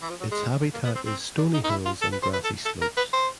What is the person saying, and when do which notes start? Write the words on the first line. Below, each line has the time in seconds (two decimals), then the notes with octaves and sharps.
Its habitat is stony hills and grassy slopes.
0.02 E3
0.10 F3
0.21 F#3
0.31 G#3
0.74 A#3
0.85 B3
0.95 C4
1.06 C4
1.38 D4
1.53 D#4
1.64 D#4
1.70 E4
1.85 F4
2.02 A4
2.12 B4
2.23 C5
2.33 B4
2.44 A4
2.65 A4
2.82 A#4
2.97 B4
3.13 C5